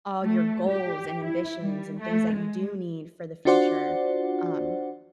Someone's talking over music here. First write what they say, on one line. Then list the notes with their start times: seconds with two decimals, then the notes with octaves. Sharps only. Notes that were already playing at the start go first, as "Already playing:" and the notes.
all your goals and ambitions and things that you do need for the future, um,
0.23 A3
0.70 G4
1.21 E4
1.60 G3
1.99 A3
2.33 G#3
3.45 D4 F4 F#4 C5 D5 F#5